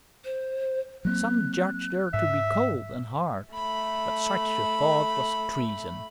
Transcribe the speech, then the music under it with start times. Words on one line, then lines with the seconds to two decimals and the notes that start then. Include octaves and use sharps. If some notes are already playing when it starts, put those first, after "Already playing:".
Some judged her to be cold and hard; but such a thought was treason.
0.25 C5
1.05 F#3 A#3 C4 F#6
2.14 G#2 E5
3.54 A3 B5